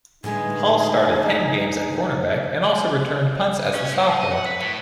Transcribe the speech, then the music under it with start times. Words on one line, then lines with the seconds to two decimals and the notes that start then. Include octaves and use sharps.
Hall started ten games at cornerback and also returned punts as a sophomore.
0.24 A2 D3 G#3 D#4 F4 G#4 B4
3.74 C#4
3.91 F3
4.04 F3
4.17 D#5
4.32 F#5
4.46 B4
4.60 A2